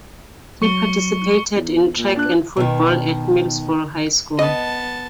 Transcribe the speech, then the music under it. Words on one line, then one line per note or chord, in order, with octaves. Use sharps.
He participated in track and football at Middlesboro High School.
F#3 C#6 C#7 G7
E2
A#2
D4 F#6
B2 D#3
B3 D#5 A5